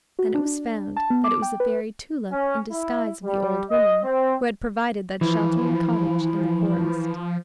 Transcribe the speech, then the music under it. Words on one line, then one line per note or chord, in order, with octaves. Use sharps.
Then it was found that it was the Fairy Tulip in disguise of the old woman who had provided that sheltering cottage in the forest.
F#4
D4
A5
B3
D6
G5
B4
C#4
E4
G3
D#5
C4
E3 F3